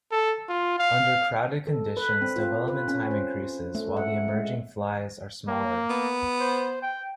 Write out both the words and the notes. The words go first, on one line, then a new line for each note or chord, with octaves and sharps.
Under crowded conditions, development time increases, while the emerging flies are smaller.
A4
F4
F5
A4
B4
C4
F4
B4
C#4
C5
A3
F#5
G#3
A#3
B3
C5
G5